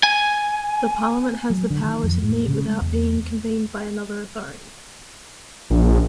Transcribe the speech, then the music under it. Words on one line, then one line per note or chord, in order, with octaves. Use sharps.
The Parliament has the power to meet without being convened by another authority.
G#5
F#3
D3
D#3
F2
A2
C#3
G#3
E2
A#1